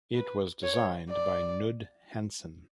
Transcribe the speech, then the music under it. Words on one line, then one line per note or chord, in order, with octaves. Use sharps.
It was designed by Knud Hansen.
B4
C#5
D5